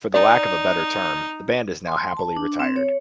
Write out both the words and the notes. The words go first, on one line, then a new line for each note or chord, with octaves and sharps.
For the lack of a better term, the band is now happily retired.
D#4 D5
C6
A5
D4
C4
C#5